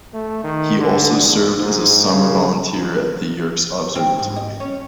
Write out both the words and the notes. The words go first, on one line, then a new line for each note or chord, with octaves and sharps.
He also served as a summer volunteer at the Yerkes Observatory.
A3
D#3
D3
E2
G#2
C#3
C4
G#2
D#5
C#4